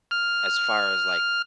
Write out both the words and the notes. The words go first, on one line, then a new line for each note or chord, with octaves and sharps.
as far as, like,
F6